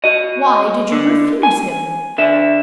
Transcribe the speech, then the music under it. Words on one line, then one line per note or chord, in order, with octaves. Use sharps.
"Why did you refuse him?"
F#4 D#5
D3
G#5
D3 E5